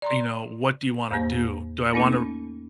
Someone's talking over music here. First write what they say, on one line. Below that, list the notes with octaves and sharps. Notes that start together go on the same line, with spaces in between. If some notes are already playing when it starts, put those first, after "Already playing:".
you know, what do you wanna do? Do I wanna
D5 A#5 C6
E2 A2 A#3 C5
A3 A#3 C#4 D#4 A4